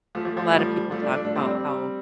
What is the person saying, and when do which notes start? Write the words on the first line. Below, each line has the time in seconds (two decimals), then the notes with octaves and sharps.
a lot of people talk about how
0.15 F3 A3
0.25 F3 A3
0.37 F3 A3
0.48 G3
0.58 F3 A3
0.70 G3
0.80 G3
0.91 F3 A3
1.02 A3 D4
1.13 A3 D4
1.25 A3 D4
1.35 G3 C4
1.46 G3 C4
1.57 G3
1.68 G3